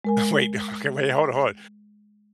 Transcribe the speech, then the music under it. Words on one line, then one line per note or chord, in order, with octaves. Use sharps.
Wait. Okay, wait, hold on hold on,
G#3 A#4 G#5